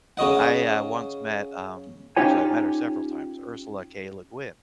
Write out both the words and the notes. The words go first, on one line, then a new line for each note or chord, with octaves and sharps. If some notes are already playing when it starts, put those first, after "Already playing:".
I, uh, once met, um actually, I've met her several times, Ursula K. Le Guin,
C#3 F#4 D#5 F#5
C#4 D#4 F4 G4 C#5 G#5